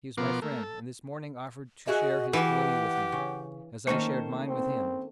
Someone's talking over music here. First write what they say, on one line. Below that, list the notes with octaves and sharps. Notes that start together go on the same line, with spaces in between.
He's my friend, and this morning offered to share his money with me, as I shared mine with him.
B2 F3 B3 A#4 C6 D6
A3 A#3
A4
F#4 G#4 D#5 E5
E3 G4 F#5
C#3
D#3 A3 A#3 C#4 C5 D#5 C#6 A#6
C4